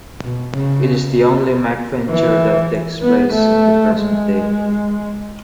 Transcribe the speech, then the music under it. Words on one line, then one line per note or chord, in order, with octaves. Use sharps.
It is the only MacVenture that takes place in the present day.
B2
C#3
E3
B3
A3
G#3